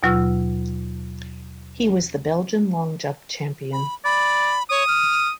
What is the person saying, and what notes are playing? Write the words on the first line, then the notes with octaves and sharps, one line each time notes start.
He was the Belgian long jump champion.
D#2 B2 F#3 F4 C#6 E6
B5
D5 B5
C#5 D#6
F6